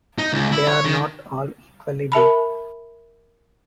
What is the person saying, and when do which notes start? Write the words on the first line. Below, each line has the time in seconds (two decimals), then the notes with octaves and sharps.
They are not all equally deep.
0.18 D#4
0.33 C#2
0.52 E4
0.68 C#5
0.85 D#3
2.12 A#4 E5 A5 B5